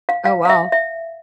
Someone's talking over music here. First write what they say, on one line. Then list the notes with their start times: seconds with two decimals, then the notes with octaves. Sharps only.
Oh wow.
0.09 F5
0.25 F5
0.45 F5
0.49 E5
0.72 E5